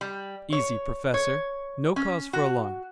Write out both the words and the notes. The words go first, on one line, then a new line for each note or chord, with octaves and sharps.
"Easy, professor, no cause for alarm."
G3
C#5
C#5
C#4
F#4